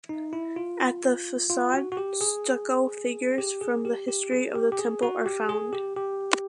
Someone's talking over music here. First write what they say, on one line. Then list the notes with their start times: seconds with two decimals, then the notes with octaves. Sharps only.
At the facade stucco figures from the history of the temple are found.
0.09 D#4
0.33 E4
0.56 F4
1.50 F4
1.73 F#4
1.92 F#4
1.97 G4
2.21 G#4
3.38 G4
3.61 G#4
3.85 G4
4.08 G4
4.32 G#4
4.55 G4
4.72 G4
4.79 G#4
5.03 F#4
5.26 G4
5.49 G#4
5.73 G4
5.97 G4